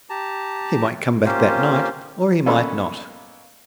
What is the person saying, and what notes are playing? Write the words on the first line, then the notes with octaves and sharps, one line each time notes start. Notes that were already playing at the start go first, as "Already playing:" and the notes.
He might come back that night or he might not.
G4 A5 A#5
A#3 C#4 F4 G4 C5
A#3 B3 C#4 A4 D#5